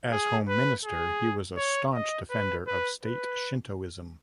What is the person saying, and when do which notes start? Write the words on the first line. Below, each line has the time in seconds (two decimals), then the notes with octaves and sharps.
As Home Minister, he was a staunch defender of State Shintoism.
0.12 G#4
0.48 B4
0.85 G#4
1.57 C#5
1.94 D#5
2.30 B4
2.67 B4
3.03 B4